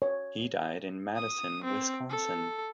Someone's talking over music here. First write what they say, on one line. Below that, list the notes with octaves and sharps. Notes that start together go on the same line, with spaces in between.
He died in Madison, Wisconsin.
C#5
D#6
C4
A4